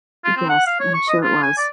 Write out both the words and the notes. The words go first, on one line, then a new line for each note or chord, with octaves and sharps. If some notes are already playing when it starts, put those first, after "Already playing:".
Yes, I'm sure it was.
F4
C4
F#5
F5
C#5
C#6
D#5
F4
G#5
D5